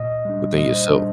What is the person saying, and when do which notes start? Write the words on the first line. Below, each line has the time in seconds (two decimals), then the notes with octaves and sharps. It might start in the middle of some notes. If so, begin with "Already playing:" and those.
within yourself.
Already playing: A#2 D#5
0.25 G3 D4
0.57 A#2 D#5
0.74 C5
0.90 G3 D4 A4